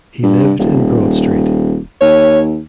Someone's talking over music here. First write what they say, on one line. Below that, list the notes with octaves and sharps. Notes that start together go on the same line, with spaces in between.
He lived in Broad Street.
G2
D#1
D#2 C#5